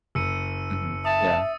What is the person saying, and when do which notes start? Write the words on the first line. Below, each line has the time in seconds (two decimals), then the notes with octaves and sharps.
Mhm. Yeah.
0.15 F#1 E6 C#7 D#7
1.05 E5 A5 D#6 A6